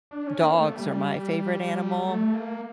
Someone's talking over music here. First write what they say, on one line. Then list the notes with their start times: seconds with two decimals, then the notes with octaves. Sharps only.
dogs are my favorite animal,
0.11 D4
0.27 C#4
0.44 A#3
0.59 A3
0.75 G3
2.03 A3
2.34 A#3